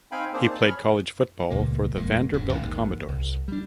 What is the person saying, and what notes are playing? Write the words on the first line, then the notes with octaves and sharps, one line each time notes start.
He played college football for the Vanderbilt Commodores.
C4 D#4 F5 G5 G#5 B5
A#3 C4 D4 D#4 G#4 C5
A5
G#4 C#5 B5 C#6 F6
C#2 A#2 G3 A#3
D#1 F2 G#3 A#3
D1 F#2 F#3 C#4
A1 D#2 G#2 D#3
C2
G3 D4